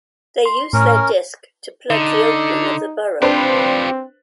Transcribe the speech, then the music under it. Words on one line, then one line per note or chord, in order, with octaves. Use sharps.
They use their disk to plug the opening of the burrow.
C6
A2 C#4 A#4
D3 D#4
C4 D4 F4 G4 B4 C5